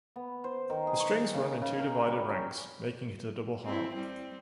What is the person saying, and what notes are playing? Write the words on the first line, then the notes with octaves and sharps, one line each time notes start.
The strings run in two divided ranks, making it a double harp.
B3
C5
D#3
G#4
C#6
C#3
C#3
A#4
G3
C#4
C4 E4
G3 C4